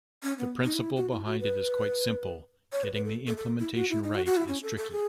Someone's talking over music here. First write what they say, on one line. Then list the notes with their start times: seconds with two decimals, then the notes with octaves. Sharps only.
The principle behind it is quite simple; getting the implementation right is tricky.
0.23 C#4
0.38 B3
0.64 D#4
0.74 E4
0.97 F#4
1.11 E4
1.26 F#4
1.40 B4
2.72 C#5
2.83 B4
2.94 B4
3.05 A4
3.27 A4
3.37 A4
3.60 E4
3.75 F#4
3.90 E4
4.04 D#4
4.15 F#4
4.26 F#4
4.37 E4
4.48 C#4
4.63 A4
4.77 A4
4.92 G#4